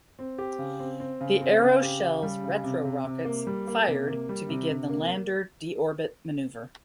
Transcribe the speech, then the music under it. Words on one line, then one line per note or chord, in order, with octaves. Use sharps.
The aeroshell's retrorockets fired to begin the lander de-orbit maneuver.
C4
G4
C#3
C4
C4
C#3
C4
C#3
G4
C#3
G3
C#3
C3
C3
C3
A#3
G3
A#3
C3
A#3
G3
C3
C3
A#3